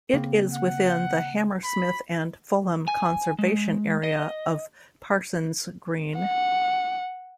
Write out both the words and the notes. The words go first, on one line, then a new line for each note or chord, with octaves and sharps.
It is within the Hammersmith and Fulham Conservation Area of Parsons Green.
C#3 A#3 C4
F#5
B5
G#5
G#3
D#5
F#5